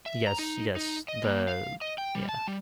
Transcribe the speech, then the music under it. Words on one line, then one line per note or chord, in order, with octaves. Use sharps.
Yes, yes. The yeah.
E5
A#5
D#4
D#4
D#5
A#3
F5
D#5
G5
G3
A5
G3